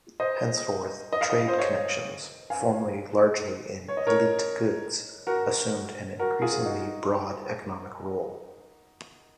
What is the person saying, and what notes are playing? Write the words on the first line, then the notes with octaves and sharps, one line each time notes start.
Henceforth trade connections, formerly largely in elite goods, assumed an increasingly broad economic role.
C5 D#5
D#5
F5
D#5
F5
C5 D#5
C#5 F5
F5 G#5
C#5
D#5
A#4 C#5
F#4 A#4
F#4 A#4
F4 G#4
D#4 F#4